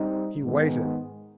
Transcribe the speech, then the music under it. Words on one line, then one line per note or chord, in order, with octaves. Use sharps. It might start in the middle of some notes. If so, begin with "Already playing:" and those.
He waited.
Already playing: G3 C4 D#4
G#2 D#3 G#3 B3